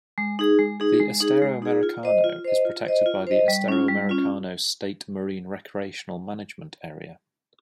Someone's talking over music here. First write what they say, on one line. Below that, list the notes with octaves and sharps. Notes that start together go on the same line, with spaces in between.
The Estero Americano is protected by the Estero Americano State Marine Recreational Management Area.
G#3
D#4 G#4
G#3
D#4 G#4
G#3
D#4 G#4
G#3
D#4 G#4
F4
C5 D#5
F4
C5 D#5
F4
C5 D#5
F4
C5 D#5
G3
C#4 F4
G3
C#4 F4